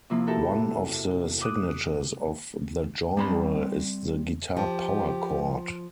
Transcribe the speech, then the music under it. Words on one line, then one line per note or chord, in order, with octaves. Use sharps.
One of the signatures of the genre is the guitar power chord.
C3 F3 A#3 E4
E4 F#4 G4 A4 A#4 E5
D6 D#6 F#6
G3 C4 B5
F3 G4